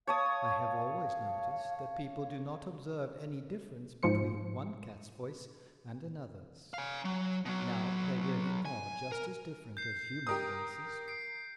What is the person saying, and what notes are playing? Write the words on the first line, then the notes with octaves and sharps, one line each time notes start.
I have always noticed that people do not observe any difference between one cat's voice and another's; now they really are just as different as human voices.
C#5 F5 A5 D#6
G#2 F3 C5 C#7
F5 G#5
F#3
B2 F#3
G#5
A#4
G6 C7
G4 A#4 D#6
C7 D7